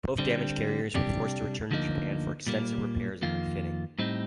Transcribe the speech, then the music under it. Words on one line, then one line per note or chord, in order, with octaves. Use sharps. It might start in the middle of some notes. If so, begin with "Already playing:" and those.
Both damaged carriers were forced to return to Japan for extensive repairs and refitting.
D3 G3 C4
C3 G3 D4 G4
D2 D3 F3 A#3 D#4
A#2 G3 A#3
F2 D#3 A#3 F4
A2 G3 C4 D#4